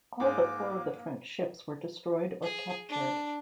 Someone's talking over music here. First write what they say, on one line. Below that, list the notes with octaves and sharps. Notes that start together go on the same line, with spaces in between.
All but four of the French ships were destroyed or captured.
G#2 A#3 D6
G#4
D4